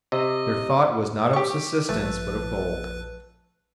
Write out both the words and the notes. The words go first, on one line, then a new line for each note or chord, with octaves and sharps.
Their thought was not of subsistence, but of gold.
C3 D#5
G4 C#6
A#1 F3 A3 B4 A5